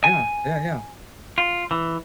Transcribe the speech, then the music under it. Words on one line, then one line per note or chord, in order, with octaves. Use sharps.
Yeah. Yeah, yeah.
G#5
F4
E3